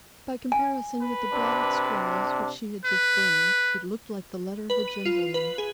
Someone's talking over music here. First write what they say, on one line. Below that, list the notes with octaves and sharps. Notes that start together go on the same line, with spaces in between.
By comparison with the blotted scrawls which she had just burned, it looked like the letter of a gentleman.
G#5
B4
C3 D4
B4
B4
D#7
F4
B4
G#4